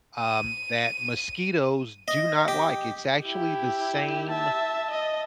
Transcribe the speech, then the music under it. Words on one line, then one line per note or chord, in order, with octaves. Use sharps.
um, that mosquitoes do not like. It's actually the same,
D#7
D#5
G4
E4 G4
E5 A5
D#5